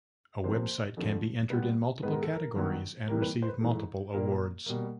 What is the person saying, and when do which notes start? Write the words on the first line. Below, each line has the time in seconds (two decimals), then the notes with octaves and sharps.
A website can be entered in multiple categories and receive multiple awards.
0.44 C3 F3 A#3 C5
0.97 F2 D3 F3 A3
1.50 A#2 G3 B3 B4
2.02 G#2 D#3 G#3 B3 B4
2.13 A#4
2.23 A4
2.34 A#4
2.55 G2 D#3 F#3 B3
3.08 C3 E3 G3 A#3 A#4
3.22 B4
3.42 C5
3.48 B4
3.61 G#2 E3 A3
4.14 A#2 G3 A#3 A#4
4.66 B2 G3 A#3